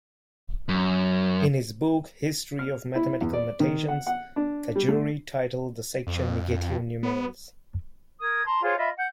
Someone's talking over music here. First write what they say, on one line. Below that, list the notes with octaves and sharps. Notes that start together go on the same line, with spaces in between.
In his book "History of Mathematical Notations", Cajori titled the section "Negative numerals".
F#2
F6
E4
E2
D5
D#3
F#5
F#5
D4
G3
A3
F2
B3
A#4 D#6 G#6
A5 A#5 C6
F4 G#4 C5 C#5
F4 D#5 E5 B5
F#5 G6